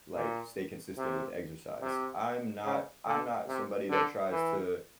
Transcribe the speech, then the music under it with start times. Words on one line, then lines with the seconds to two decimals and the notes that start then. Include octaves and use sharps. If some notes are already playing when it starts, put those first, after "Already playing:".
like, stay consistent with exercise. I'm not I'm not somebody that tries to
0.15 A#2
0.98 C3
1.81 C3
2.64 C#3
3.06 D3
3.48 C3
3.90 D3
4.31 E3